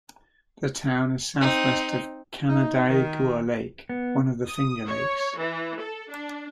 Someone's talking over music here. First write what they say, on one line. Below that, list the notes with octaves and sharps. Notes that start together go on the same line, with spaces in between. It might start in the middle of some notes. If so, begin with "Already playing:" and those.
The town is southwest of Canandaigua Lake, one of the Finger Lakes.
C4 D#4
D#4
D#3
B3
D#6
C#5
E3
A4
D4